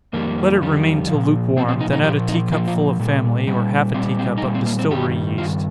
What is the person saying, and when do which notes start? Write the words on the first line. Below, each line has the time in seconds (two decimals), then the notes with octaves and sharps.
Let it remain till lukewarm, then add a tea-cup full of family, or half a tea-cup of distillery yeast.
0.13 F2 D#3 G3 A#3
0.61 F2 D#3 G3
1.08 A#2 F3
1.57 A#2 F3 C4
1.68 C4
1.80 D#4
1.93 D#4
2.04 F3 G4
2.07 A#2
2.28 D#4
2.52 A#2 F3 F4
2.67 F4
3.00 A#2 G3
3.47 A#2 G3
3.94 A#2 G3 C4
4.19 C4
4.38 D#4
4.42 A#2 C4
4.45 G3
4.55 C4
4.66 A#3
4.79 C4
4.90 G2 D#3 G3 G4
5.38 G2 D#3 F4